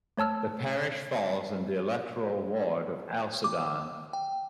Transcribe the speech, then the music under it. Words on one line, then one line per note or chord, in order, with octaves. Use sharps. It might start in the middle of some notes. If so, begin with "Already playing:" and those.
The parish falls in the electoral ward of Alcedon.
A3 C#5 A5 E6 F6
D6
G5